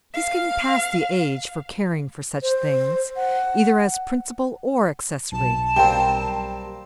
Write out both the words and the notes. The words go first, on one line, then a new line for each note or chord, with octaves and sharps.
He's getting past the age for caring for such things, either as principal or accessory.
F5
C5
F#5
B1 A5
G3 A#3 C4 G5